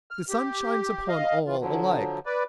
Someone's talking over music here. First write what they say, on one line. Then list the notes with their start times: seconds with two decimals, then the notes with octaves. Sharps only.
The sun shines upon all alike!
0.11 F6
0.29 G4
1.08 D#5 F5
1.46 E3 F4
1.60 D3 F3 F#3
2.26 B4 D5